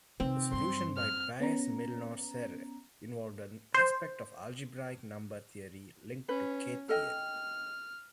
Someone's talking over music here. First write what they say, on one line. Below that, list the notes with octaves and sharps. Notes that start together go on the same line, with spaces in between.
The solution by Bass-Milnor-Serre involved an aspect of algebraic number theory linked to K-theory.
C3 D#3 C4
G2 C6
F6
B3 C#4 A#5
C5
C#4 B4
A4 D#5 G5 F6